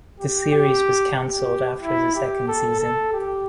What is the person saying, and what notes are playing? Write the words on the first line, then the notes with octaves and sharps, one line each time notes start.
The series was canceled after the second season.
G4
G4
G4
E4
G4
A4
A4
G4